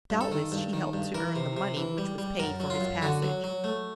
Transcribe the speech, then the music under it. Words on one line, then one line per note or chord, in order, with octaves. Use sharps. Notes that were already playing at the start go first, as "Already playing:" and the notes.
Doubtless she helped to earn the money which was paid for his passage.
G2
A4
D#3
G2
D#3
G2
E3 A#4
C3
C3
E3
G3
G3
F#2 A#4
F#3
F4
F#2
D3 F#4
F#3
F#3
A3